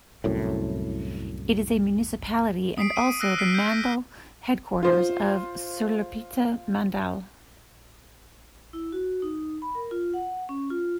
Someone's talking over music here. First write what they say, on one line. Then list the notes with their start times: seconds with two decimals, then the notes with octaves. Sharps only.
It is a municipality and also the mandal headquarters of Sullurpeta mandal.
0.24 C2 F#2 A2
2.78 D#6 B6 C7 D7
2.96 D#6 D#7
3.20 E6 F#6 A#6 C7 D7 D#7
3.38 F6 B6 C7 D7
3.52 G6 D7
3.67 F6 A#6 B6
4.83 F4 C5
8.73 E4
8.92 F#4
9.22 D#4
9.62 B5
9.75 A#4
9.91 F4
10.14 F#5
10.49 C#4
10.70 F4